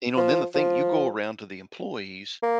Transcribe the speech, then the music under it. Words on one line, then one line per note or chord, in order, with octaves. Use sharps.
You know? And then the thing you go around to the employees
F3
F3
A#3